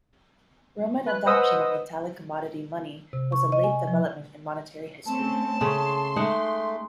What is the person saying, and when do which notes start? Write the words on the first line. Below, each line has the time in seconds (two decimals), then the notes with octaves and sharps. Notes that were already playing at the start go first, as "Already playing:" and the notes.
Roman adoption of metallic commodity money was a late development in monetary history.
1.06 B4 F#6
1.26 B4 C5 D#5 F#5 D#6 E6
3.13 C3
3.32 C#6
3.52 D#5
3.64 G#5
3.87 F3
5.06 A3 C4 C#4 A5
5.61 C#3 A3 C#4 C6
6.16 G#3 A3 D#4 F#5